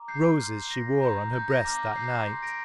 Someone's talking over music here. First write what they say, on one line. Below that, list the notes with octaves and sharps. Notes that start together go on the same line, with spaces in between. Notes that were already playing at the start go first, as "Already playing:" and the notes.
Roses she wore on her breast that night.
Already playing: A#5 D6
G6 C7
C6 F6
A#6
A#5 G6
G6
A#6
A#5 D6 F6
G6 C7
C6 G6
A#6 D7